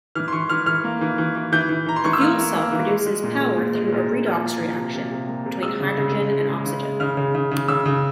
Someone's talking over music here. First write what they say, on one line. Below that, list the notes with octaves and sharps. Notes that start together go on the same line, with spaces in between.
The fuel cell produces power through a redox reaction between hydrogen and oxygen.
E3 F6
C6
E3 C#6
E3 F6
E3 F6
A#3
E3
E3
E3
E3 G6
E3
E3 A#5
C6
E3 C#6
E6
A#3 F6
A#3
A#3
E3
G#3
G#3
A#2
G#3
A#2
G#3
A#2
A#2
F3 F6
A#3
F3
C3
C3
C3
A#3
C3
G#3 E6
C#3
C#3
G#3
G#3
G#3
C#3
G#3
C#3 F6
C#3
C#3
C#3
C#3 E6
C#3